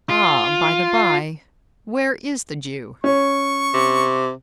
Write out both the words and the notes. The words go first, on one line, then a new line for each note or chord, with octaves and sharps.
"Ah! by-the-bye! where is the Jew?"
F4
C#4 C#6
C3